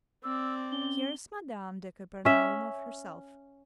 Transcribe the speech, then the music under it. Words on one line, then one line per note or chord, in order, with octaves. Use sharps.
Here is Madame de Kapernaumov herself.
C4 D5 E6
C#4 G7
C#4 E5